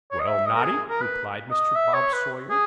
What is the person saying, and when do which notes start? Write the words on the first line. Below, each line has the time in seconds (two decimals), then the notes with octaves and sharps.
'Well, Noddy,' replied Mr. Bob Sawyer.
0.12 C#5
0.20 D#5
0.27 E5
0.45 D#5
0.55 A#4
0.64 G#4
0.90 A#4
1.01 B4
1.51 D#5
1.76 E5
1.94 C#5
2.13 B4
2.50 G#4